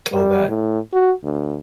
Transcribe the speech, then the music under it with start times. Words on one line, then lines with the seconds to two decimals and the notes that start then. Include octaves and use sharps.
all that,
0.12 G3
0.49 A2
0.93 F#4
1.23 D2